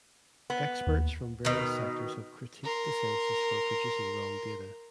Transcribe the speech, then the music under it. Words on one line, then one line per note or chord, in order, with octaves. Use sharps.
Experts from various sectors have critiqued the census for producing wrong data.
B3
D#2
B2 D#3
A#4 C6